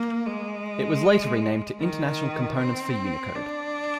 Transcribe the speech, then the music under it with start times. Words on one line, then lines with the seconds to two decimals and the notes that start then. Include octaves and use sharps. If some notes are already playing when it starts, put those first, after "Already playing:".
It was later renamed to International Components For Unicode.
Already playing: A#3
0.26 G#3
1.80 D#3
2.57 C4
3.35 D4